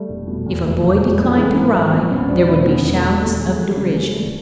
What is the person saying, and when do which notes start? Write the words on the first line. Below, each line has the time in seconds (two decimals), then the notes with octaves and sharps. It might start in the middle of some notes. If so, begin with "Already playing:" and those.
If a boy declined to ride, there would be shouts of derision.
Already playing: G3 A3
0.09 F1
0.27 B2
0.46 E2
0.64 F1
0.83 F1
1.01 A#1 G#3
1.15 A#1 G3 A3
1.29 G#3 A#3
1.38 E3 A3 B3
1.56 G#2 A#3 C4
1.75 A#1
1.93 A#1
2.11 E1 B3 C#4
2.29 E1 C4 D4
2.48 B2 D4 E4
2.66 E2 B3 C#4
2.85 E1
2.94 A3 B3
3.03 E1
3.21 D#2 G3 A3
3.40 D#2 G#3
3.58 F3 G#3
3.76 C#3 G3
3.95 D#2 G#3
4.13 D#2 G3 A3